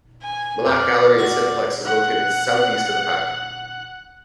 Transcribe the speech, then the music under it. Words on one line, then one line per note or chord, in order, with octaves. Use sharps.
Mellat Gallery and Cineplex is located to the southeast of the park.
G#5
D5 F6 G6
F#4 F#5
F#5 F#6